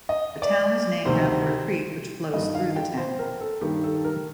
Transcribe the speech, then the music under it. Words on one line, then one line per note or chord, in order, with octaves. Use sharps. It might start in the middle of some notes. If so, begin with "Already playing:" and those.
The town is named after a creek which flows through the town.
D#5
D5
D2 C3 D#3 C5
G2 D#3 D#5
F5
G5
C5
A#4
A4
G2 D#3 G4
A4
A#4